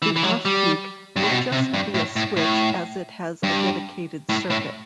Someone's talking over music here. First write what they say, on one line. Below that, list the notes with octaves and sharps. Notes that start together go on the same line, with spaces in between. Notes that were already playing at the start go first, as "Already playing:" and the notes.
The off-peak will just be a switch as it has a dedicated circuit.
E3
E3
F#3
G3
G2
A2
B2
C3
G2
A2
A2
A2
G2
A2
A2